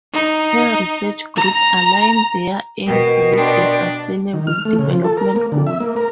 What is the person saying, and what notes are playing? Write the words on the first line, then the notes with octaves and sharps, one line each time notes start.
Her research group align their aims with the Sustainable Development Goals.
D#4
A#5
B2 A#4 G5
D4 D5 G5 C6
D#3
F6
A3
C#3
F3
A4
A#4
A#3
D3
E5
A#3
A#4